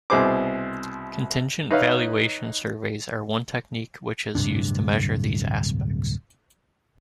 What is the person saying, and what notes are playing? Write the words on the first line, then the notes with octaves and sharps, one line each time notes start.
Contingent valuation surveys are one technique which is used to measure these aspects.
C2 B2 G#4 C5 D6
D#4 B4 C#5 E5 F5
D1 G2 C3 D4